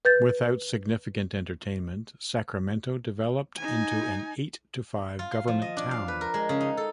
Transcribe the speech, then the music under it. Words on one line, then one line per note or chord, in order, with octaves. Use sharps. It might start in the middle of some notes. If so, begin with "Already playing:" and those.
Without significant entertainment, Sacramento developed into an eight-to-five government town.
B4 G6 A6
D#4 G#5
F4
C6
F3
D#5
D4
F5
B4
A#4
G#3
C#3
D#4
A4